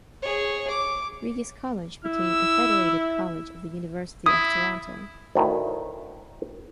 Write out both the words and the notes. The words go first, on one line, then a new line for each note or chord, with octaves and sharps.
Regis College became a federated college of the University of Toronto.
G#4 C#5
D6
E4 E6
E4 D#6
D2 A2 D#3